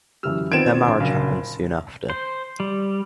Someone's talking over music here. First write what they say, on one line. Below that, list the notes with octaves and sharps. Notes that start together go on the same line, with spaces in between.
Their marriage happens soon after.
F#2 E3 G4 E6 F6
D#3 B3 C4 F4 G#6 A6 D7 E7
A#1 C6
F#1 F5
C5
G3